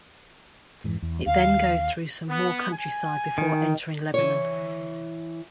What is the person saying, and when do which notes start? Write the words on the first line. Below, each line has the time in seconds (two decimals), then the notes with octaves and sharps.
It then goes through some more countryside before entering Lebanon.
0.84 F2 G#2 E3
1.02 E2
1.26 D#2 F5
2.29 B3
2.72 G#5
3.38 D#3
4.14 E3 C#5